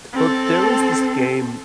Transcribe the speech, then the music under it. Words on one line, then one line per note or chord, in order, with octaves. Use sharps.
Well, there was this game
C4 A4